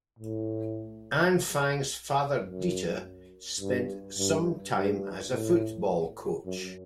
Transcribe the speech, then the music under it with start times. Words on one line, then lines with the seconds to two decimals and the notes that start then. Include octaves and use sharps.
Anfang's father Dieter spent some time as a football coach.
0.19 A2
2.46 F#2
3.61 G2
4.18 G2
4.75 G2
5.32 A2
6.46 F#2